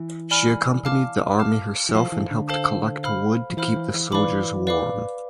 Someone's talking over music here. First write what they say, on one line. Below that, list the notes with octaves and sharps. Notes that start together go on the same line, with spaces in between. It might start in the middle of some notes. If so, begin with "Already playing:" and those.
She accompanied the army herself and helped collect wood to keep the soldiers warm.
Already playing: E3
D5 G#5 B5 F6
F5 A5 D6 F6
F5 A5 D6 F6
E3
F3 A4 C5 F5 A5
E3
D3
A4 C5 F5 A5
C5 F5 B5 F6
F3
E3 C5 F5 B5 F6
E3
E3
E3 B4 D5 F5 B5 D6
B4 D5 F5 B5 D6